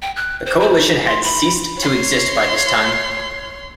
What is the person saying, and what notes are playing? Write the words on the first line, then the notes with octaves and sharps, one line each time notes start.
The coalition had ceased to exist by this time.
G5
F#6
C5
C5
D#4
C6
B5
C#5 C6